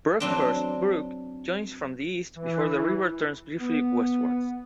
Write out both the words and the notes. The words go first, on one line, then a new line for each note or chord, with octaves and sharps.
Brockhurst Brook joins from the east before the river turns briefly westwards.
F#3 C4 D4
E3
B3